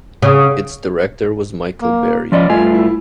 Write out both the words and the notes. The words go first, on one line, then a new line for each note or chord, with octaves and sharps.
Its director was Michael Berry.
C#3
A#3
F3 C#4 D5 D#5
G2 A3 F4 G#5
E4